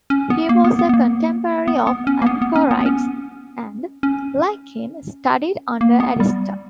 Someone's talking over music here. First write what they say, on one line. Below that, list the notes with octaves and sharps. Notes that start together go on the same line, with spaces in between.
He was a contemporary of Antorides, and, like him, studied under Ariston.
C#4
B3
A#3
B3
B3
B3
A#3
B3
B3
C#4
A#3
B3
B3
C#4
B3
B3
C#4
C#4
A#3
B3
G3